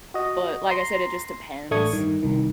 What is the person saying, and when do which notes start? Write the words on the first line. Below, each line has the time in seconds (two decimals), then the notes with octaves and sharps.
but, like I said, it just depends.
0.14 F#4 D#5
0.70 A#5 C6
1.71 A1 A3 D4 C#6 D#6 G#6
1.93 G2 D#3
2.23 C2 D#3